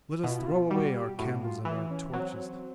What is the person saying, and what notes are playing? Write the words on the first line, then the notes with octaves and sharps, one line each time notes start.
Let us throw away our candles and our torches.
B2 E4
F4
E4
F4
G3 F#4
G4
A2 F#4
F4
E3 E4
C#4
F#3 C4